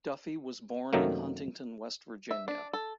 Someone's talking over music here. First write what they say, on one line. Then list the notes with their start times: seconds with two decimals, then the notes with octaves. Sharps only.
Duffey was born in Huntington, West Virginia.
0.93 F#2 C3 D#3 F#3 A3 A#3
2.31 E5
2.48 D4
2.73 A4